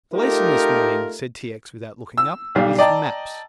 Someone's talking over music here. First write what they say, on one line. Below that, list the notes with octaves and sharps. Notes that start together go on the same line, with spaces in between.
"The lesson this morning," said T. X. without looking up, "is maps."
A3 D#4 F4 G4 A4 A#4
E6
B1 G3 F5
D5 D#5 G5 A5 A#5